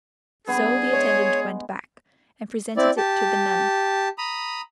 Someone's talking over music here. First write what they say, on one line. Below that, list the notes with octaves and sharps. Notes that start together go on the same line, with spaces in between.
So the attendant went back, and presented it to the nun.
G2 B3 G#4
G#3 C#5
C4 E4 D5
G4 A5
A#5 B5 D#6